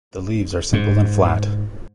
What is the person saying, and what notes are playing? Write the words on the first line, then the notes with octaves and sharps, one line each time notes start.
The leaves are simple and flat.
G#2